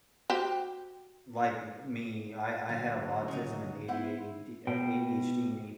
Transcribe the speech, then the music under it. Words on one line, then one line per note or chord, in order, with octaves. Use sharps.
like m me, I I have autism and ADAD uh, ADHD and
F#4 G4 C5
D2 A#2 F#3 F5
C#3 D#4
B3 E4 C5 F#5
B2 G5